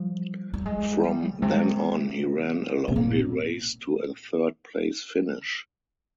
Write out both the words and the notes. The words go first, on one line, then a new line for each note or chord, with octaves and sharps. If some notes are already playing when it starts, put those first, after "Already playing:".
From then on, he ran a lonely race to a third-place finish.
Already playing: F3 G3
G3
G#3
G3
A#2
C3 G#3
C3
C4
A#2 A#3
C4